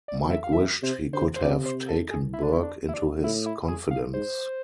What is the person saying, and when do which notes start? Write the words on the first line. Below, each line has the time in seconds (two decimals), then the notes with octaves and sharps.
Mike wished he could have taken Burke into his confidence.
0.08 D5
0.22 B2
0.30 E5
0.44 F5
0.53 B2 E5
0.83 C3 C5
1.13 D3 C5
1.36 C5
1.43 C3 D5
1.66 C5
1.89 A4
2.11 G#4
2.33 E4
2.43 D4
2.53 E4
2.63 D4
2.89 E4
2.94 D4
3.23 A2 E4
3.46 E4
3.68 G#4
3.91 F5
4.13 G#2 C5